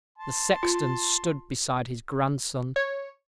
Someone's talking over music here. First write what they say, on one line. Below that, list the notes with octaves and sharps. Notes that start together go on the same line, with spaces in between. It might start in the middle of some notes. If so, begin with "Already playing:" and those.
The sexton stood beside his grandson.
A5 C6
F4
C#5